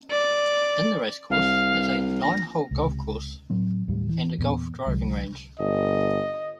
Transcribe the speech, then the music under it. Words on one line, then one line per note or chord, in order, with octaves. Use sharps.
In the racecourse is a nine-hole golf course and a golf driving range.
D5
C2 F5
A#1 A#6
C#2 C3
A2 F#3 C4
D#2 A2 D#3 G3
E3
E2 A#2 B3
C2 D3 F#3 G#3
G1 D#5